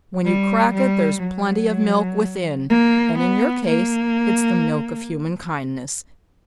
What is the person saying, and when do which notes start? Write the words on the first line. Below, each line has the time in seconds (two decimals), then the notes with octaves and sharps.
When you crack it there's plenty of milk within--and in your case it's the milk of human kindness.
0.25 G3
0.74 G3
1.22 F#3
2.69 A#3
3.18 B3
3.67 A#3